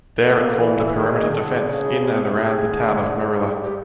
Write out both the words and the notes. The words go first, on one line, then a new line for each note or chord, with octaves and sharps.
There it formed a perimeter defence in and around the town of Meriller.
A#3 A4
E3
D#3 G#4
D3
C#3
C3
D3
G3
G4